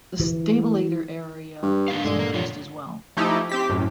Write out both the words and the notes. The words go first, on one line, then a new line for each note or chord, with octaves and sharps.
The stabilator area was increased as well.
E3
G2
A#3 D4 F5
G2 A#2 D3 G#3 D4
A#3
E2 F4 C#5
F3 A3 D#4 E4 G4
C4 G4 B6
F#2 A2